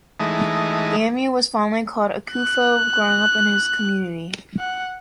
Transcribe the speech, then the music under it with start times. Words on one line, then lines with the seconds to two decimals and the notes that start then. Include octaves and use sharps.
Gamey was fondly called Akufo growing up in his community.
0.20 E3 G#3 A3 D#4
2.31 F#6
4.60 F#5